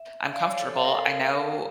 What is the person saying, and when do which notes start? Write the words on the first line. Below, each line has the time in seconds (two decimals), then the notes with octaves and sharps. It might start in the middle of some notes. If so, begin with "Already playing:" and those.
I'm comfortable, I know
Already playing: E5
0.33 D5 F5
0.47 C#5
0.60 A4
0.73 A4 F5
0.84 A#4
0.95 A4
1.13 A#4
1.26 A#4
1.40 A#4